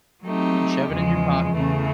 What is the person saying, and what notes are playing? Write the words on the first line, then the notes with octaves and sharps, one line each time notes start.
Yeah, shove it in your pocket.
F#3 A3 C4 D#4 G4
E2 C#3 F3 G#3
E2 C#3 E3 A3